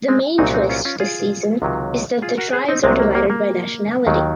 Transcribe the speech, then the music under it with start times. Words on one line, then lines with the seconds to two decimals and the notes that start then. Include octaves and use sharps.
The main twist this season is that the tribes are divided by nationality.
0.08 G#3 C4
0.38 C2 A#2 F#3 C4 D#4
0.54 C4 D#4
0.69 C#4 F4
0.85 C#4 F4
1.00 F4 G#4
1.62 C#2 C3 D#3 F#3
2.22 F4 G#4
2.38 F#4 A#4
2.53 G#4 C5
2.68 C4 D#4
2.84 C2 C3 F#3 G#3 C4
3.00 A#3
3.15 A#3
3.30 A#3
4.07 D#2 D#3 F#3